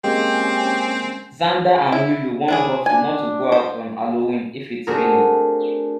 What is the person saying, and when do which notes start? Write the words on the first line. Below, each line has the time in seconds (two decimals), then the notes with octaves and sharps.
Xander and Willow warn Buffy not to go out on Halloween if it's raining.
0.04 G#3 A#3 C4 C#4 G4
1.92 E4
2.48 C#4 D4 E4 G#4
2.86 D4 G#5
3.52 C5
4.87 A3 C4 D4 F#4 G#4 A#4